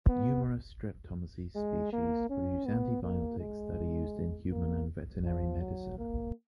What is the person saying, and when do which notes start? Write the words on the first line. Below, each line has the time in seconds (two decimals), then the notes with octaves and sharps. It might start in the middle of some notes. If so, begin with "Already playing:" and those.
Numerous Streptomyces species produce antibiotics that are used in human and veterinary medicine.
0.09 B3
1.55 G#3
1.93 A#3
2.30 C#4
2.66 B3
3.03 A#3
3.40 G#3
4.50 A#3
5.24 F3
5.61 F#3
5.98 A#3